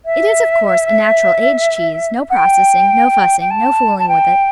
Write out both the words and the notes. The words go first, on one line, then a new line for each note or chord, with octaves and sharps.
It is, of course, a natural aged cheese, no processing, no fussing, no fooling with it.
E5
F#5
G5
G5
A5
A5
G5